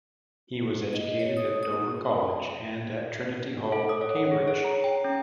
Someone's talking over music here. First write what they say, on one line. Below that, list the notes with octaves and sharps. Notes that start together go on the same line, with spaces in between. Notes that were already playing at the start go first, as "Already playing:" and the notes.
He was educated at Dover College and at Trinity Hall, Cambridge.
D#5
C#5
D#6
D#6
A4
D#6
C#5
F#5
G#4
C#5
A#5
G5
C#4